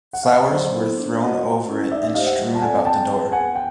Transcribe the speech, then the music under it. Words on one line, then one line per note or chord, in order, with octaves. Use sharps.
Flowers were thrown over it and strewn about the door.
F#5
F5
E5
D#5
F#3 C5 D5
B3 E4 A4
D4
F#4 A#4 D#5 F#5
A3
C#4 E4
D#4 D5 E5
D5 E5
G4 C5 D#5 F5
E5 F#5
G3
A5
C4 F4 A4 D5 F#5 G#5
C4 G5 A5
F4 G#4 B4
B3 F#5 G#5
G5